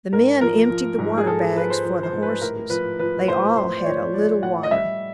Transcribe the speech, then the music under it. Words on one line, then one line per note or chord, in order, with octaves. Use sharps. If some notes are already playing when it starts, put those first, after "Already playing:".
The men emptied the water-bags for the horses; they all had a little water.
G#2 A#4
F3 A#4
F3
G#2
G#4
G#2 A4
G#4
C5
F3 B4
C5
F3 B4
C5
G#2
B4
A2 A#4
F3 B4
F3 B4
A2 C5
A2 C5
D5
F3 C#5
F3 D5
A2 F#5
D#5
G3 E5